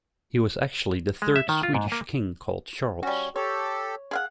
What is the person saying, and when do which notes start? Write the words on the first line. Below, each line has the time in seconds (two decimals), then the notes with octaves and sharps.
He was actually the third Swedish king called Charles.
1.22 G#3
1.36 E5
1.49 D#3
1.63 F4
1.75 G#2
1.92 A#3
3.03 G3 C#4 F#4
3.36 G4 A4 C#5
4.11 G#4 F5 F#5